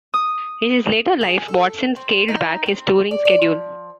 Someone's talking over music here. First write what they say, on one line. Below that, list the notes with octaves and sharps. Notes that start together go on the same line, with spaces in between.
In his later life, Watson scaled back his touring schedule.
D#6
G#4
A4
C4
D#4
C4
D5
D5
F3